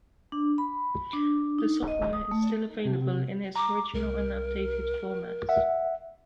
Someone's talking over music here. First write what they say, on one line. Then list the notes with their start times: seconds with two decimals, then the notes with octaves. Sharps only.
The software is still available in its original and updated formats.
0.32 D4
0.58 B5
1.13 D4
1.59 D#4
1.88 D#5
2.13 D#6
2.31 A3
2.85 C3
3.56 A#5 D6
3.94 C2 A#4
5.49 E5 F#5